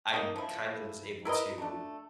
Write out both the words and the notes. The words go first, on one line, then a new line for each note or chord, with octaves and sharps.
I kinda was able to
A#3 D#4
F3 E4
E4 A#4 B4 D#5
A3 D4